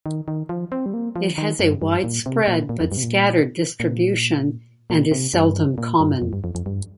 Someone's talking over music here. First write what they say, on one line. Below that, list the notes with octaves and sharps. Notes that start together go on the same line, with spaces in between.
It has a widespread but scattered distribution and is seldom common.
D#3
D#3
F3
C4
G3
A#3
F3
D#3
G2
G2
A#2
C3
A#2
A#2
F2
G2
C3
A#2
A#2
A#2
C3
G2
A#2
G2
F2
G2
F2
F2
G2